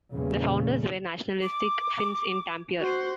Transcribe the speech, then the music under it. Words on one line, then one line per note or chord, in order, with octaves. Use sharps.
The founders were nationalistic Finns in Tampere.
E2 G2 A#2 C#3
D6
F#4 C5